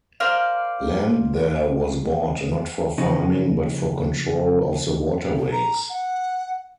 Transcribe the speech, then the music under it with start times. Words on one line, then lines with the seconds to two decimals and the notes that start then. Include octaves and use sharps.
Land there was bought not for farming but for control of the waterways.
0.20 A#4 C5 D5 F5
2.98 C#3 F3 D#4
5.52 A#5
5.89 F#5